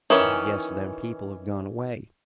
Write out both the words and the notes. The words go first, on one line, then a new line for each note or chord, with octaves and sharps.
But I guess them people have gone away.
D#3 E3 C#4